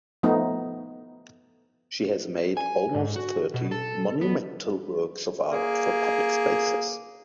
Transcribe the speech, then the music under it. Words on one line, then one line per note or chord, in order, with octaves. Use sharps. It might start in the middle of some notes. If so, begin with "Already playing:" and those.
She has made almost thirty monumental works of art for public spaces.
F3 A3 B3 D#4
G#5
G#2
F#4
B2
A4
B3
A#3 G#4